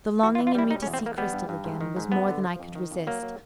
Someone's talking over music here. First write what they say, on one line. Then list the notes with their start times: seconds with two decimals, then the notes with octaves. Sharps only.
The longing in me to see Cristel again, was more than I could resist.
0.23 E3 F#4
0.35 F4
0.39 E3
0.47 F4
0.55 G3 E4
0.70 B2 D#4
0.82 C#4
0.87 E2
0.94 C4
1.02 E2 A#3
1.18 G3 B3
1.33 G2
1.49 G2
1.64 G#2
1.81 D#3
1.96 G#2
2.12 F#2 B3
2.28 D3
2.44 F3
2.59 F2
2.75 D#3
2.91 F2
3.07 F#3 A#3
3.23 F#3